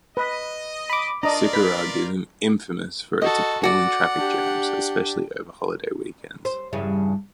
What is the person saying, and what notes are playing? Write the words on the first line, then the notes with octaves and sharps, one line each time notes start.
Cicurug is infamous for its appalling traffic jams, especially over holiday weekends.
B4 D#5
B5 D6
D4 F4 A#4 D5 D#5 A#5
B4 B6
F#4 A4 D#5
F#4 D5 F#5
D4 G4
C5
E2 G2 C#3